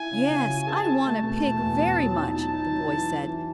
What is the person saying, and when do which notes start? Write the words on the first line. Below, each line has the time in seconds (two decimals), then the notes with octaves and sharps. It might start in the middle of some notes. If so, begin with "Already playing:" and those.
"Yes, I want a pig very much!" the boy said.
Already playing: E4 G#5
0.11 C#3
0.30 C#3
0.49 F#4
0.67 G#4 A5
0.86 G#4
1.05 A3
1.23 B2 A5
1.42 E2
1.61 E2
1.79 B3
1.97 F#3
2.16 D#4
2.35 F#3 A5
2.53 D#4
2.72 F#3
2.91 E3
3.09 E3
3.27 E3